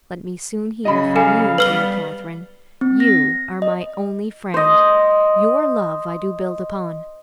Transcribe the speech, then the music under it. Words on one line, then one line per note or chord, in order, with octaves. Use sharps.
Let me soon hear from you, dear Catherine; you are my only friend; your love I do build upon.
C#3 F#3 D#5 B5
A4 F5 G#5
G3 B3 B4 F6 G7
C4
A#6
D#5
C5 D#5